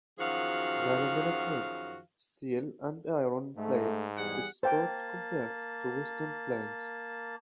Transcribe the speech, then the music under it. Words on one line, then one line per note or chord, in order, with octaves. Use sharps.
The laminated steel and iron blade is stout compared to western planes.
F#2 D#3 F3 F#4 G#4 F5
G#2 A3
E2 G3 G#4 F#5
A#3 C5 G5 A5